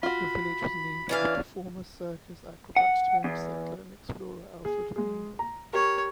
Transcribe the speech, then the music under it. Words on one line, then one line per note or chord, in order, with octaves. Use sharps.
The village was named after former circus acrobat turned settler and explorer Alfred Mayo.
F4 F#4 B5
E3 C#4 D4 F5
F#5
E2
G#4
G#3 G#4
A#5
G4 A#4 C#5